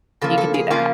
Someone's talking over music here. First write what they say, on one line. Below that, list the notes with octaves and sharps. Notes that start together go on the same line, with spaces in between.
you can do that.
C#3 F3 A#3 A4
A4
G#4
C#3 F3 A#3 F4